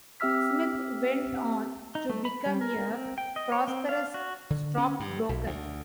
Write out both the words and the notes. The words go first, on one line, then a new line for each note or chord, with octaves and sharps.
Smith went on to become a prosperous stockbroker.
C4 G4 E5 E6 F6 B6
D#4
A3
B5
G3
A#4
C4
G5
D#5
C#5
C4
F5
F#4
D3
C#4
G2
B1
D2